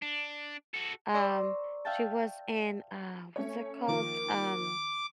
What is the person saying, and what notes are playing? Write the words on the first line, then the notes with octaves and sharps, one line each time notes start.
um she was in, uh, what's it called? Um
D4
F#4 A4
C5 D5 A#5 C6 C#6 E6
E5 F5 G5 A5
A3 C#4 C#5
D#3 F3 A#3 D6